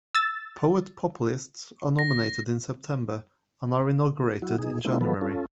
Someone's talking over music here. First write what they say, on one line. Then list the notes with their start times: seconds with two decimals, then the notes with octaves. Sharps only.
Poet Populists are nominated in September and are inaugurated in January.
0.15 E6 A6
1.99 A#6
4.42 F#3 E4 F#4
4.58 B2 D#4 G#4
4.85 G#3 A#3 C4 D4 E4 F4
5.01 D#3 F3 F#3 B3 A4 B4
5.21 C#4 F4 A4